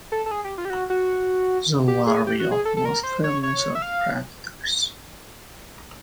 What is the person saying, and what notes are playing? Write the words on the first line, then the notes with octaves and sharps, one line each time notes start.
The larvae of most families are predators.
A4
A4
G#4
G4
F4
G4
F#4
F#4
G4
G#4
G4
F#4
G#4
A4
A4
A#4
C5
C#5
C#5
E5
F5